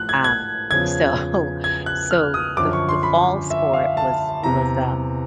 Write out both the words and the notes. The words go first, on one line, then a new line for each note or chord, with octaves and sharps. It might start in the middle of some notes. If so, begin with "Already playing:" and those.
Um, so so the the fall sport was was, um
Already playing: A2 F3 F#6
G#6
G#6
E2 C#3 F3 G#6
G#6
F#6
F6
D#6
F#2 D3 F3 D6
C#6
C6
B5
E5
F5
A5
E2 C3 E3 A#5